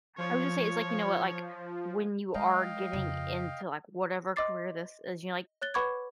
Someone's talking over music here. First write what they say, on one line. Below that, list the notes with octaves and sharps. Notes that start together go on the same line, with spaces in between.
I would just say it's like, you know what? Like, when you are getting into, like, whatever career this is, you know, like
F3 C#5
G#3 D#5 F5 G5
F2 C#3
D#5 C6 D6 A6 C7
C#5 F#6 A6 G7
B4 F#5 B5 C#6 D6 G#6